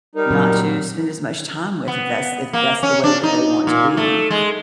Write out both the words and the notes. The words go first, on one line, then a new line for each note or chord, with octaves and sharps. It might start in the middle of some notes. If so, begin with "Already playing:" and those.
not to spend as much time with if that's if that's the way that they want to be.
G3 D#4 A#4
A#2 F#3 C4
B3
A#3
C#4
D4
D#4
A#2
A3
G#3